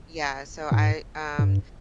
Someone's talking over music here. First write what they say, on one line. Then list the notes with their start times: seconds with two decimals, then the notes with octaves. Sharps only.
yeah, so I, um,
0.72 G#2
1.39 G2